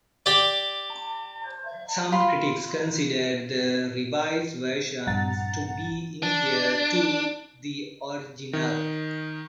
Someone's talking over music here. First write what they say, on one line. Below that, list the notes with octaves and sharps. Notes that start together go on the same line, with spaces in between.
Some critics considered the revised version to be inferior to the original.
G4 D5
F4 B5 C6
A#1 G2 F#5 A#5 A6
D4
D#3